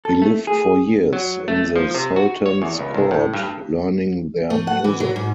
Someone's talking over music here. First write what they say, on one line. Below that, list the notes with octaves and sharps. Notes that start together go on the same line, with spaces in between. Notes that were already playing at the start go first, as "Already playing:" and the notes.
He lived for years in the Sultan's court learning their music.
A4
A3
G#4
F#3
A3
F3
C3
F#4
C#5
E2
C#2
C2
A2
G2
A3
F#5
E3
F#3
G#2